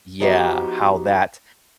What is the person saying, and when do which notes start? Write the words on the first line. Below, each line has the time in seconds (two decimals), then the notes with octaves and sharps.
yeah, how that
0.20 F3 B3 D#4 F#4 G4 C5